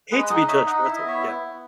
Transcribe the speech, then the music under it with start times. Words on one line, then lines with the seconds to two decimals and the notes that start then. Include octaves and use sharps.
Hate to be judgmental yeah.
0.11 G#3 B4 D#5
0.30 D#4 D#5 F#5
0.44 D#5
0.48 D#4 C#5 E5
0.66 D#4 D#5 F#5
0.84 E4 E5
0.96 D#5
1.03 B3 C#5 E5
1.20 E4
1.39 B3